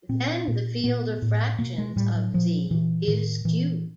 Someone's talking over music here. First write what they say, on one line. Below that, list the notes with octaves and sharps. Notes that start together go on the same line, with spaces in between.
Then the field of fractions of Z is Q.
A#2 C4
A#2
A#2 B3
A2
B2 A#3
G#3
A2 G3
F#3
A#2 F3
A#2 E3
A2 D#3
A#2 E3